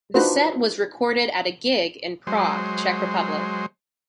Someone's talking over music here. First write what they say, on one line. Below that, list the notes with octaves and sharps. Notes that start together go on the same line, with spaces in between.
The set was recorded at a gig in Prague, Czech Republic.
D4 D#4 F4 F#4 B4 C5
F#3 G#3 C5